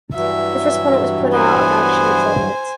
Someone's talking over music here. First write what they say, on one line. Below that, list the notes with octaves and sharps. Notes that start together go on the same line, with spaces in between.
Her first opponent was put out of action in twelve minutes.
G2 E3 F#3 E5
B3 C5 G#5